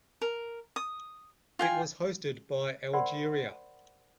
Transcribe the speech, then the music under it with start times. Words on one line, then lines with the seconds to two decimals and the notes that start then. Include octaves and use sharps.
It was hosted by Algeria.
0.21 A#4
0.76 D#6
1.59 F4 G5 G#5
2.93 A#4 C5 D5 F#5 B5 C6